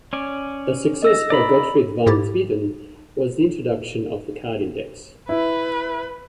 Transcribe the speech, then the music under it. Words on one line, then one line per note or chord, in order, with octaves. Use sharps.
A success by Gottfried van Swieten was the introduction of the card index.
C#4 D5
D#5 E6 A#6
D5 A#5 B5
G#2 E4 G4 A6
E4 B4